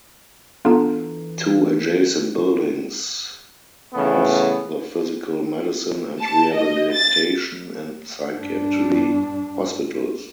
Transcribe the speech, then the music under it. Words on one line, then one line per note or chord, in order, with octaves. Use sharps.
Two adjacent buildings house the physical medicine and rehabilitation and psychiatry hospitals.
E3 B3 D4 F4 A4 A#5
C#3 E3 A3 B3
A5
D#5
A6
G2 D4